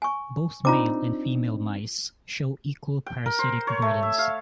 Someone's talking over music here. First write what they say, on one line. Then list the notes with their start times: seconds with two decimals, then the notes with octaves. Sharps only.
Both male and female mice show equal parasitic burdens.
0.02 G#5 C#6
0.65 C4 D4 D#4 F4 A#5 D6
3.06 G5
3.26 A#4
3.39 C5
3.67 C#5
3.82 A3
4.03 E5
4.18 F5